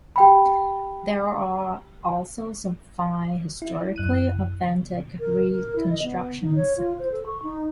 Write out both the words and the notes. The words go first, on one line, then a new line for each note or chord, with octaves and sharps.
There are also some fine, historically authentic reconstructions.
G4 G5 B5
E4
F#2 F#6 D#7
A#4
A#4
E4
D#5
B3
D#4
C#5
F4
C5
A4
C#6
D#4